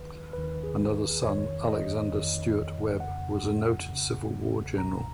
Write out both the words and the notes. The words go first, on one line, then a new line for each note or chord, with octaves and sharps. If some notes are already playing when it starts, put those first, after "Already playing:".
Another son, Alexander Stewart Webb, was a noted Civil War general.
Already playing: D#2 D#3 B4
D#2 D#3 B4
G#4
F2 D#3 C#5
D#5
F2 D#3
F2 C#3 F#5
F2 C#3
C#2 B2 A#5